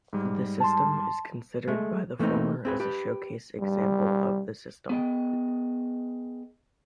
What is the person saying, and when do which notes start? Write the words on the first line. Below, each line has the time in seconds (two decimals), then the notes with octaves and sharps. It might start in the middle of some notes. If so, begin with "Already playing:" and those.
The system is considered by the former as a showcase example of the system.
0.13 G#2 G3
0.60 A5 C6
1.68 G#3 A3
2.19 E3 A3 A#3 C4 D#4
2.65 C4 G#4 B4
2.80 G4 B4
3.59 G3
4.90 B3 G#4 D#5 G5